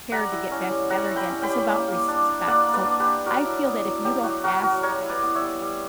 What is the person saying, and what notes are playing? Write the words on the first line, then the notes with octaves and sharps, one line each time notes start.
cared to get back together again, it's about respect. So, I feel that if you don't ask that
G3 F#5 A#5
E4
C#4
G3
G3 F#5 A#5
E4
G5 B5
C#4
G5 B5
G3
A#3
A#3
D4
D4
A#3 D5 F#5
A#3
B4 D5
D4
G4 B4
D4
F#3 F#4 A#4
E4
B3
F#3
F#3 G4
E4 F#4
B3 F#4 A#4
F#3 F#4 A#4
G3 A#4 C#5
E4
B4 D5
B3
C#5 E5
G3
G3